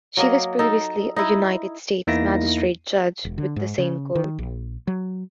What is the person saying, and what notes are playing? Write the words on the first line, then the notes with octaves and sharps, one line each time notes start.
She was previously a United States Magistrate Judge with the same court.
F#3 A#3 D#5
D#4 A4
D#4 E4
E2 A#3 D#4 E4 A#6
E1
D3
G#2
C#3
D#3
A#1
F#3